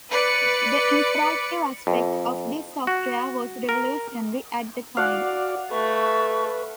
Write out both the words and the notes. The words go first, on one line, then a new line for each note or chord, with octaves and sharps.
The interactive aspect of this software was revolutionary at the time.
B4 D5 C#7
F2
F#4
A#4
F#4 D5 F5 F#5
A3 B4 C#6